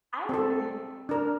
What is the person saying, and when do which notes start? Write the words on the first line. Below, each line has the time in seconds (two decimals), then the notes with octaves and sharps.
I really
0.29 C4 A4
1.09 D4 A#4